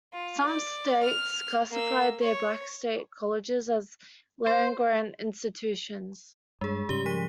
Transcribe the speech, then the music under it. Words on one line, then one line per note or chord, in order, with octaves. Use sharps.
Some states classified their black state colleges as land grant institutions.
F4
D5
F6
A#3 E6
C#5
C5
G2 G#3 G#4
G#2 C#3 G3 G4 G7
F3 B6 D#7